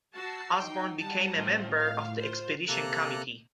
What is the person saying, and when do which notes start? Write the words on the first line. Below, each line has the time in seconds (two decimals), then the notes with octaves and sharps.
Osborn became a member of the expedition committee.
0.12 F#4 A5 E6 C7
0.57 D#4 G5
0.99 G3 F#5 A5 A#5
1.33 A2 F3 C4 C#4
1.74 F5
2.16 F4 C5
2.68 C3 A#3 A4 A#5 F#6